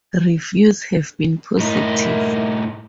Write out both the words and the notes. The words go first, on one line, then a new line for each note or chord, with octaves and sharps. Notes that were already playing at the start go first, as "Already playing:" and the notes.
Reviews have been positive.
A2 D#4 E4 A#4